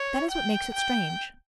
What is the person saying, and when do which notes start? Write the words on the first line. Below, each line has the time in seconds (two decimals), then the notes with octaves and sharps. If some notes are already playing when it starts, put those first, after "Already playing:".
That is what makes it strange.
Already playing: C#5
0.31 G5
0.74 G5